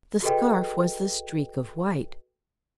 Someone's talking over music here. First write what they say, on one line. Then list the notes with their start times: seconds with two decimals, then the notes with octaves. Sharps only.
The scarf was the streak of white.
0.22 F#4 G#4 A4 B4 D#5 G5